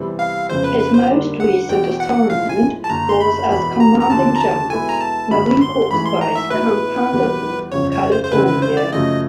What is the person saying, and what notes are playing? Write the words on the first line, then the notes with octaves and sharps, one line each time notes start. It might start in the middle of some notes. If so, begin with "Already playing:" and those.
His most recent assignment was as Commanding General, Marine Corps Base Camp Pendleton, California.
Already playing: C3 E3 G3 B3
F5
F2 C#3 F3 G#3 B3 C5
B4
B4
C5
D3 G3 A#3 D4
F#5
E2 B2 F#3 G5
F#5
A2 F3 G#3 F5
G#5
A5
F#1 F#2 D3 A#5
C6
B5
E1 E2 B2 B5
A#5
A#5
D#2 D3 F3 A5
A#5
A5
B2 G#3 B3 E4 A4 G#5
A#5
A5
G#1 F#2 D3 F#3 A#3 B5
C6
A1 G#2 E3 G#3 B5
C6
A#5
E5
A2 F#3 B3 D#4 B4
E2 B2 G3 B3
G1 F2 C#3 C#5
C#5
C5
C5
C#3 E3 G#3 C4 B4
B4
C5
D5
F#2 C#3 F3 A3 D#5